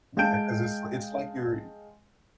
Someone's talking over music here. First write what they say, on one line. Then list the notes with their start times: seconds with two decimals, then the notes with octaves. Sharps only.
Yeah, 'cause it's li it's like you're
0.17 G#3 F5 G5 A5 G6 D7